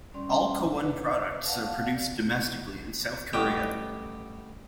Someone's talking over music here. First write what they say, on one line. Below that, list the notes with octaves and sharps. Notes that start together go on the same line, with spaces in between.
All Cowon products are produced domestically in South Korea.
G3 C#4 D5 C6
B4 C#5
D5 F5 F#5 A5
A1 F#3 G3 G4 D#5 G5